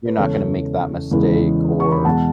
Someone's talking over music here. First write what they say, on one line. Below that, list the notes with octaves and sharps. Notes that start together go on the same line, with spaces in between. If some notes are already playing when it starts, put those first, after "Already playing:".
you're not gonna make that mistake or
B4
E2 C#3 E3 G#3 A4 C#5
E2 C#3 E3 G#3
C#6
B5
E2 B2 G#3 F#5 A5